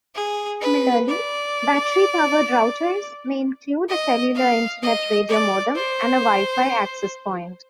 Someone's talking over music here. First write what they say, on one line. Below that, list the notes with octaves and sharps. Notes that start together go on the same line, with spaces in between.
Similarly, battery-powered routers may include a cellular Internet radiomodem and Wi-Fi access point.
G#4
B4
D5
D#5
F5
D#5
D5
C5